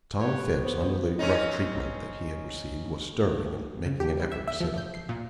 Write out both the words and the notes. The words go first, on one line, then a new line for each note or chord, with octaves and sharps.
Tom Phipps under the rough treatment that he had received was stirring and making an effort to sit up.
G4 B4 C#5
B3 C5
C4 C#4 D#4
C#3
G4
G3
E5
E5
F3
G6
C7
A#2